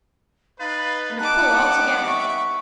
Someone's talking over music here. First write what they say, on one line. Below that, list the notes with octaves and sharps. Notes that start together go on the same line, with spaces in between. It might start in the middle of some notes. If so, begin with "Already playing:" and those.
And a pull all together.
D#4 B4 F5 A6
G3 B3 D#4 F#5 A5 D6 F#6
E5 C#6